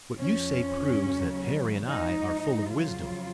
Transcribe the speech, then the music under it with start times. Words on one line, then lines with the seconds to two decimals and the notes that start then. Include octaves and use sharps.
What you say proves that Harry and I are full of wisdom.
0.20 F2 F3 C#4
1.03 D#2 C#3 F#3
1.87 G#2 F3 D#4
2.70 F2 C#3 F#3 F4